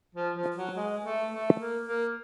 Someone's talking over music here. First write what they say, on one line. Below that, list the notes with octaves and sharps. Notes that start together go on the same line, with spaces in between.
He expects them to carry messages for him to their kindred.
F3
F3
F#3
G#3
A3
A3
A#3
A#3